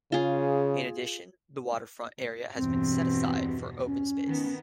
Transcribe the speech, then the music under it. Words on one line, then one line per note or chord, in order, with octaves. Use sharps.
In addition, the waterfront area has been set aside for open space.
C#3 F4 G#4
E2 G2 B2 C4
C#4
D#3 B3